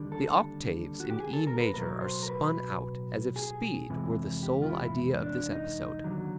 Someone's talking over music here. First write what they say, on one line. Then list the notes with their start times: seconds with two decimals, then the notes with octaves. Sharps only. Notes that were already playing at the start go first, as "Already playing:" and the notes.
The octaves in E major are spun out as if speed were the sole idea of this episode.
Already playing: D#2 D3 G3
0.12 A4
1.00 F#4
1.10 G4
1.20 G#4
1.33 A4
1.47 A#4
1.61 B4
1.74 B1 A2 F#3 A#4
2.01 C5
2.23 A#4
2.28 B4
3.36 G#4
3.90 F2 C3 E3 G#3
4.43 G4
4.62 F4
4.70 E4
5.23 D4
5.51 D#4
6.04 D#2 D3 F#3